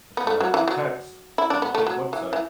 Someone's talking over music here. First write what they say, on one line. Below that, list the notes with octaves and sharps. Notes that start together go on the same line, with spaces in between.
she got a text with a fake website
B3
A3
F#3
E3
F#3
E4
D4
B3
A3
F#3
E3
E3